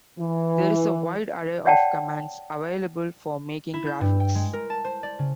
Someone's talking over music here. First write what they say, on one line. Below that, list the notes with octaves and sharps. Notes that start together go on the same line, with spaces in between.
There is a wide array of commands available for making graphics.
E3
C#5 D5 F#5 G5 A5
E4
G6
G2
G5
G#3
A#4
A5
C5
D5
C#3